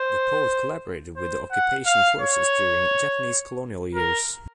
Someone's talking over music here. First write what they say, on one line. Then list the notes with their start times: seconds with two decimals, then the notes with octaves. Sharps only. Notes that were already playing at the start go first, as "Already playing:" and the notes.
The poet collaborated with the occupation forces during Japanese colonial years.
Already playing: C5
1.16 C5
1.51 F#5
1.86 F5
2.20 C#5
3.95 A#4